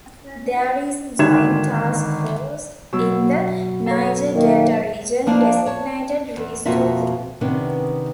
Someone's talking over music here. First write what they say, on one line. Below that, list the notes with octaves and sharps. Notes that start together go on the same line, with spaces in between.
There is a Joint Task Force in the Niger Delta region designated Restore Hope.
G#1 D3 D#3 G#6 E7
B2 F#3 E6
A4 C#5
D#3 A#3
F3 A#3 D4 D5 F5
C#5 A5
E2
F2 B2 A#3 F4 F#4 E5
C3 D#3 B3 C#4 D4